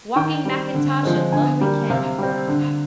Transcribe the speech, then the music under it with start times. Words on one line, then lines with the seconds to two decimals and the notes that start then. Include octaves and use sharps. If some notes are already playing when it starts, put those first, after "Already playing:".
Walking Mackintosh of lonely canyon.
0.16 D#3 G5
0.45 G3 C4
0.74 D3
1.03 F3 G#3 C4
1.32 D3 G#5
1.61 G3 A#3
1.90 C3 F5
2.18 G3 C4
2.48 D3